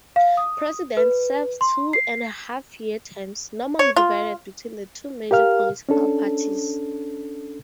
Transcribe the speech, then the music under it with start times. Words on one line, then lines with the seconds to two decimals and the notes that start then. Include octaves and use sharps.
Presidents serve two-and-a-half-year terms, normally divided between the two major political parties.
0.16 F5
0.37 D#6
0.97 B4
1.61 C6
1.93 C7
3.79 C#5
3.96 F4
5.31 G4 A#4 F5 F6
5.89 C#4 D4 A4